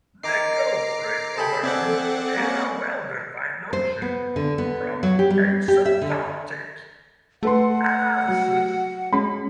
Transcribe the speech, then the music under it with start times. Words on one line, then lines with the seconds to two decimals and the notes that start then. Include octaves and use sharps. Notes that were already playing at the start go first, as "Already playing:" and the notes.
The growth rate of a group is a well-defined notion from asymptotic analysis.
0.23 D#3 A#5 D6 C7
1.38 G#4 A4 G5 A5 B5
1.63 C4 D5 E5 F#5
2.37 A#3 C#4
3.73 C5
4.02 B3
4.36 D3
4.58 B3
5.03 F#3
5.19 G4
5.30 G3
5.68 G4
5.85 E5
6.02 D3
7.43 A3 A4 B4 F#5 C6
8.28 F#3
9.13 G#3 C#4 B5